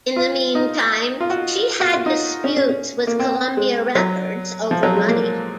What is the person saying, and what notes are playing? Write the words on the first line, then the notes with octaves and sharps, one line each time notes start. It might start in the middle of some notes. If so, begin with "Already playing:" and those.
In the meantime, she had disputes with Columbia Records over money.
F4
D#4
F4
F#4
F#4
F4
D#4
C#4
C#4
C#4
A#3
C4
G#3
F#3
F3
F#3
G#3
A#3